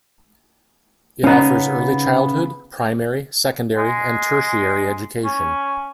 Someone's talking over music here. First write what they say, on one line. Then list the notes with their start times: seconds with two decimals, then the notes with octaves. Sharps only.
It offers early childhood, primary, secondary and tertiary education.
1.24 C#3 B3 C#4 D#4
3.77 G#3
5.25 C#4